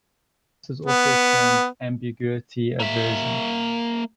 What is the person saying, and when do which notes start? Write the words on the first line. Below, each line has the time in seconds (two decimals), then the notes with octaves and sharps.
This is also termed "ambiguity aversion".
0.86 B3
2.80 A#3 E5